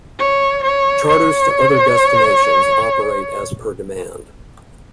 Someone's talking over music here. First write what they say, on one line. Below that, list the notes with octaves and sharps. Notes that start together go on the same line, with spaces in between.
Charters to other destinations operate as per demand.
C#5
C#5
C#5